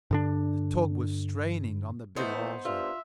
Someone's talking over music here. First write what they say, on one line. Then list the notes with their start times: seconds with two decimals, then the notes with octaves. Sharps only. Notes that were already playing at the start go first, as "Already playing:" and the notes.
The tug was straining on the big hawser.
0.11 G2 D3 D4
2.16 E3 A3 B3 D#4 C5
2.65 G2 F4 E5